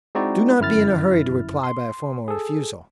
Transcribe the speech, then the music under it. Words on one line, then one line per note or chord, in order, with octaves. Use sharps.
Do not be in a hurry to reply by a formal refusal.
G#3 C4 D#4 E4 F#4 D5
G1 F#2 E4 F6 A6
C6
G#4 A4